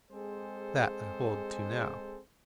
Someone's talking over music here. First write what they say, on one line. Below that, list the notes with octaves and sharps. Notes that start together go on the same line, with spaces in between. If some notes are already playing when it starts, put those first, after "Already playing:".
That I hold to now.
G#3 C4 G#4 A4 C5